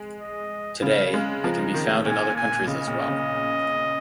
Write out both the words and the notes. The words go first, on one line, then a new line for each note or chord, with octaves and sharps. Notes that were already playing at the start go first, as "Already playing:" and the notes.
Today, they can be found in other countries as well.
Already playing: G#3
D#5
C#3 F5
G#3
F3 A#5
D#3
A#2 G#5
G#5
C#3 D#5
A#2
C#3